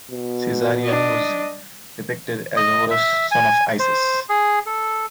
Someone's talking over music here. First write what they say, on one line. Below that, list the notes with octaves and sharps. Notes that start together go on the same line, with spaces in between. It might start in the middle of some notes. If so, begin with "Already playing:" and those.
Caesarion was depicted as Horus, son of Isis.
B2
D4 D#5
D#5
E5
G#5
C5
G#4
A4